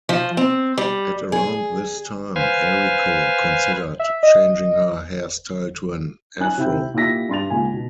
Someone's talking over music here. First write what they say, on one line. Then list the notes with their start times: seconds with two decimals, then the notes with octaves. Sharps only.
At around this time, Eriko considered changing her hairstyle to an Afro.
0.09 F3
0.37 C4
0.77 G3
1.32 G#4
2.36 B4 C5 F5 G#5
3.99 E5
4.23 D#5
6.40 C#4 G#5 F#6
6.57 C3 E4 G5 G6
6.94 A#2 E4 G4 E6 A#6 B6
7.29 G2 C6 A6 F7
7.50 C#2 A#2 G#5
7.73 B2